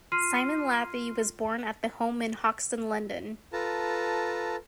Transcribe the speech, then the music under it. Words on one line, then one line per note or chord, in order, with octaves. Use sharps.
Simon Laffy was born at home in Hoxton, London.
F4 C6 F6 C7 D#7
F4 A4 B4 A5 A#5